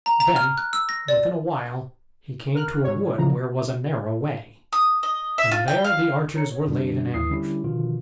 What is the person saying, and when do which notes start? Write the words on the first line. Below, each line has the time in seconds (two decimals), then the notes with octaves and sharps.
Then within a while he came to a wood where was a narrow way; and there the archers were laid in ambush.
0.06 A#5
0.20 A#5
0.36 F6
0.58 F#6
0.73 E6
0.89 A#6
1.08 D5
2.55 A#4 F6 F#6
2.84 G#2 C#5
3.18 C#3 E3 F3 A#5
4.73 D#6
5.03 D#5
5.38 E5
5.51 F4
5.68 G5
5.85 F5
6.35 C#5 A#5 C#7
6.52 C#5
6.67 F#2 D3 G3 D4
7.14 D#2 E3 E4 D#6 C7
7.30 D3 G3 C#4 E4 G4
7.64 B2 D3 D#3 F3 F4